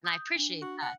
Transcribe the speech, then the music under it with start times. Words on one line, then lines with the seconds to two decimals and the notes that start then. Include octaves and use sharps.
And I appreciate that.
0.04 D#6 G6
0.36 D4
0.62 F#4
0.82 F#5